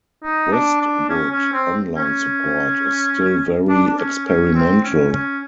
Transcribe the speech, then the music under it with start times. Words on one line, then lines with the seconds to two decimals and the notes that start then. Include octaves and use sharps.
Westwood Online support is still very experimental.
0.23 D#4
0.52 D4
0.81 D4
1.09 C#4
1.31 C#4
1.53 C4
1.96 C#4
3.69 D4
3.87 D4
3.98 C#4
4.26 C#4
4.55 C4
4.84 C#4
5.12 C#4